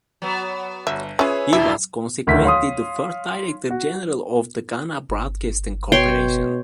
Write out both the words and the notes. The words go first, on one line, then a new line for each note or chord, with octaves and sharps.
He was consequently the first Director General of the Ghana Broadcasting Corporation.
F#3 B3
G1 E5
C#4 F4 G#4 B4 C#5 E5
E1 B2 D4 E4 F4 E5
D1 D2 D#3 A3 E4 B6
C#5 F5 C6 D#6
F#4
G1
B2 C#5 G5 C6